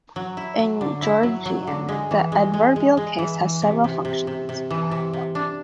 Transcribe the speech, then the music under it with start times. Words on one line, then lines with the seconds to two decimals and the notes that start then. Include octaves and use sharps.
In Georgian, the adverbial case has several functions.
0.16 F#3
0.37 E4
0.59 F#3
0.81 D3
1.02 E4
1.23 F#3
1.45 F#3
1.67 D3
1.89 G#3
2.11 E3
2.32 G#3
2.54 G#3
2.76 G#3
2.97 G#3
3.19 E3
3.40 E3
3.62 C3
3.84 C3
4.05 C3
4.27 C3
4.49 C3
4.70 E3
4.91 C3
5.13 C3
5.35 D4